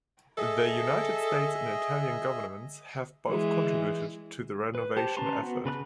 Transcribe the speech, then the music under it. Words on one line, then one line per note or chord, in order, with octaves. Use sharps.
The United States and Italian governments have both contributed to the renovation effort.
G#4 A4 D#5 E5
E3 G#3
B4
G4 C5 A5
C#4 B4 A5 A#5 C6
B3 F#4
C#3 B4 D5 F#6